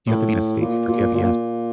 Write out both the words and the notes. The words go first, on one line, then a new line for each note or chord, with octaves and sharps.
you have to be in a state to forgive, yes.
A2
A#2
A#2
A#2